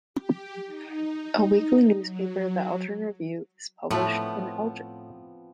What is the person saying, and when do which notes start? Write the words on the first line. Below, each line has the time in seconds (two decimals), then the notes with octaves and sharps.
A weekly newspaper, "The Elgin Review", is published in Elgin.
0.14 G4
0.66 D#4
1.98 F#3
3.91 A2 F3 A3 B3 C4